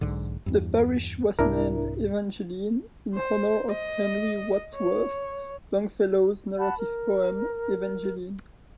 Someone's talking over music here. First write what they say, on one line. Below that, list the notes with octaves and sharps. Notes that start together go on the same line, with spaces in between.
The parish was named "Evangeline" in honor of Henry Wadsworth Longfellow's narrative poem, "Evangeline".
B1 G#2 D3
E2 G2
C2 G#2 D4 E4 A#4
C5
D#5
C#5
F#5 A5 B5
A#4